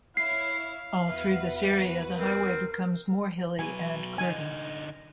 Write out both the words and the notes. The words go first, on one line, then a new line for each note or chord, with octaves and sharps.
All through this area, the highway becomes more hilly and curvy.
E4 C#5 F5 C7
E2 F#4 B4 E5
C4 A#4
F#3 B4 G#5
D3 D#4 G#5